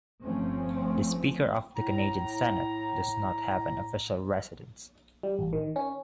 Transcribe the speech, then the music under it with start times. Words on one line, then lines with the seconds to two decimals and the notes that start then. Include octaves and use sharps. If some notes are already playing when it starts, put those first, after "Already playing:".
The Speaker of the Canadian Senate does not have an official residence.
0.24 G1 F3 A3 C4 C#4
1.77 A2 A#5
5.23 G3
5.39 A1
5.53 D#3
5.76 C#4